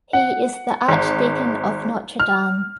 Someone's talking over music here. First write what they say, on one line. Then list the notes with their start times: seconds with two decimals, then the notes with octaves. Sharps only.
He is the Archdeacon of Notre Dame.
0.13 F#5
0.88 G#1
2.20 F6